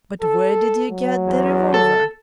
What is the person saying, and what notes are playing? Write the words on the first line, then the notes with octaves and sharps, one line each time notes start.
But where did you get the revolver?
A4
F#3
E2
A4